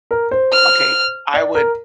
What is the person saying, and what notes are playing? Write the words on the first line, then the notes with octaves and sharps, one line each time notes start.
okay, I would
A#4
C5
F6
D5
A#4